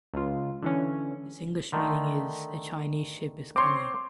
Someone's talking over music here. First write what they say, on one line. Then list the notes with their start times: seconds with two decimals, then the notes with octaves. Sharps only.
Its English meaning is "A Chinese Ship is Coming".
0.14 C#2 F4
0.62 D3 E3 C#4
1.72 D3 D#3 A3
3.56 C4 C#5 C6 D6